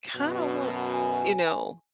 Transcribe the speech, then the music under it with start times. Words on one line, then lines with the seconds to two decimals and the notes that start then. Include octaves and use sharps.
kinda wanna s you know,
0.16 F#2 B2
0.93 G#5